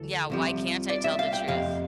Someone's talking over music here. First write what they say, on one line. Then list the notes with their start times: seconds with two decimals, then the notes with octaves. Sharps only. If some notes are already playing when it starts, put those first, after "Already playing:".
Yeah, why can't I tell the truth?
Already playing: D2 E3 A4
0.30 C2 C3 F3
0.89 D5
1.04 E5
1.19 F5
1.33 G5
1.48 F2 C3 F5